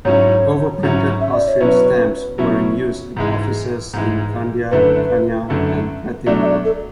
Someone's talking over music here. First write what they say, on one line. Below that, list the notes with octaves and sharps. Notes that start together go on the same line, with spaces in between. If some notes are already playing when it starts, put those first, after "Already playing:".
Overprinted Austrian stamps were in use at offices in Kandia, Khania and Rethymnon.
G#2 F#3 C#4 E4 C#5
G#2 F#3 C#4 E4
E5
D5
C#5
B2 F#3 C#4 E4 B4
B2 F#3 C#4 E4
G#2 E3 G#3
G#2 E3 G#3
F#2 D3 A3 E4 B4
F#2 D3 A3 E4
B2 F#3 A3 D4 D5
E5
D5
A4